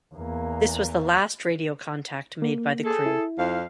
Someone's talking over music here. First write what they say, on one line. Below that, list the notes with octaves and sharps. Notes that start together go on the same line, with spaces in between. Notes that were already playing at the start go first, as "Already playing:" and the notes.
This was the last radio contact made by the crew.
E2 A#3
A#3
G#4 A4
E4
F2 C5 F5